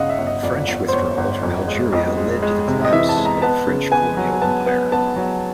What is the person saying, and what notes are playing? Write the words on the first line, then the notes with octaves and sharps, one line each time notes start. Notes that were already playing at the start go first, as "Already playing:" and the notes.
French withdrawal from Algeria led to the collapse of the French colonial empire.
Already playing: G1 C#3 D#5 F5 F#5
E5
G1
D#5
F2 D5
G1
C5
G1 C#5
G1
F2
G#3
F2 D#5
G#3
G#3
C3
D#5
E3 E5
A5
G#3
A#5
B3 A5
C#3
B3 G#5
F#3
B3 A5
B3
B3 A5
F#3